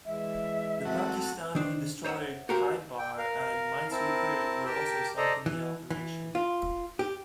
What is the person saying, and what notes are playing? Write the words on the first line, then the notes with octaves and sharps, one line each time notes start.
The Pakistani destroyer "Khaibar" and minesweeper were also sunk in the operation.
E3 G#3 E5
F#3 A3 C4 F#4
D#3 D4 C5
C5 C#5 D#5 E5 F#5
F#4 G4 A#4 C5 F5
G5
A#4 F5
C4 E4 A#4 A5
G4 A#4 G5 A5
A4 C5 D5 D#5 A#5
E3
E3
F4
G4